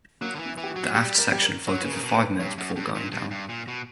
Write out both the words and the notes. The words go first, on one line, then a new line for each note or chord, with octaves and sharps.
The aft section floated for five minutes before going down.
F#3 A#3
D3
E3
B3
E3
G4
F#4
F#3
G3 G4
A#4
G4
A#4
F#3 C#5
C#3 B4
A#4
B2
B4
G2 C#5
F#2
G2
A#2
G2
G2
A#2
B2